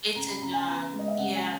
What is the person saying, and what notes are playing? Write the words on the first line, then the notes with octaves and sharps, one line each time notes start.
It's a job. Yeah.
C#3 A#5
B5
C#3 A#5
G#5
B3 A#5
G#3
D#5
E5
C#3 F#5
G#5